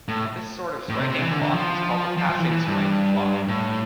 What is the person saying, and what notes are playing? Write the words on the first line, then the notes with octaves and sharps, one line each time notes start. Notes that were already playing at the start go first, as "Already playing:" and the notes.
This sort of striking clock is called a "passing strike" clock.
A2
A2
C3
C3
E3
D3
D3
F3
F3
F3
E3
E3
G2
A2